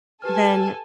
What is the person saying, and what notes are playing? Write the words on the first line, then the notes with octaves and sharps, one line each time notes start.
then it
G4 A4 B4 G#5 A5 F6